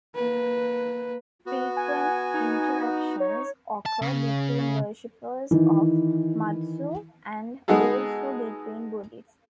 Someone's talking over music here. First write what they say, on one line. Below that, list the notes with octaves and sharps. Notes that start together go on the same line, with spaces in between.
Frequent interactions occur between worshipers of Matsu, and also between Buddhists.
A#3 B4
B3 F#4
G#5
D#4
C#5
A5
C#3
D#3 E3
G#3 B3 D#4 F#4 G#4 A4